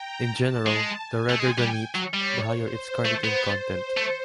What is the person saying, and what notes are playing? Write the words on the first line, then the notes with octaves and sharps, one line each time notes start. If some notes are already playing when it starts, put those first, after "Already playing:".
In general, the redder the meat, the higher its carnitine content.
Already playing: G5 A#5
A5
G#3
G#5
A3
G#3 G5
G3
F#3
G3 C#5
C5
A3
B3 C5
A3